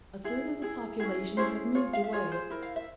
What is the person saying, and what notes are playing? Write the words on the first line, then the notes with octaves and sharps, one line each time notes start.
A third of the population had moved away.
E4 G#4
E4 G#4
C#4 E4 G#4
C#4 E4 G#4 C5
F4 G#4 C#5
F5
E5
F4 G#4 C#5
C5
E4 A#4
F5
E5